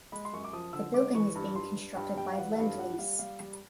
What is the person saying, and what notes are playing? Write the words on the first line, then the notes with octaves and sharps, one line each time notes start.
The building is being constructed by Lendlease.
G#3 B5
C6
F#2 C#6
D6
F3 D#6
D3 E6
G#3 D6
E3 C#6
G2
G2 C6
G2
G2 G5
G3 G5
F5
E3 F#5
G2 F5
G3 F#5
G3 F5
G3 F5
G3